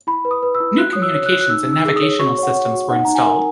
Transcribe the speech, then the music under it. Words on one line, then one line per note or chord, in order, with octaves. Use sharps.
New communications and navigational systems were installed.
E4 B5
B4
D#6
B4
E6
E4
F#4 F#6
C#5 D#6
E6
C#5
F#6
F#4
F#6
D#4 E6
D#4
E6
G#4
D#6
C#5
F#4 C#6
C#5 F#5
C#5
F#4
D#4 F#5
D#4 A#5
G#5
A#4